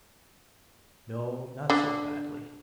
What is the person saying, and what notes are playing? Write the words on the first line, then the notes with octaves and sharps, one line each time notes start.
'No, not so badly.
D3